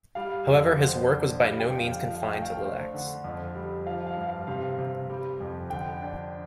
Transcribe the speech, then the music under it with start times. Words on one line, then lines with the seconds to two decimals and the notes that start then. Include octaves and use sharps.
However, his work was by no means confined to lilacs.
0.15 G3 F5
0.46 F2
0.77 D3 C5
1.09 D4
1.40 G3 F5
1.60 G5
1.70 F2
1.80 F5
2.01 F3 F5
2.22 G5
2.32 A3
2.42 F5
2.62 D4 C5
2.94 D3
3.24 F2
3.55 G3
3.86 F3 F5
4.07 F5
4.16 G2
4.27 F5
4.47 C3 F5
4.78 C3
5.10 G3
5.40 F2
5.70 D3 G5
6.02 D4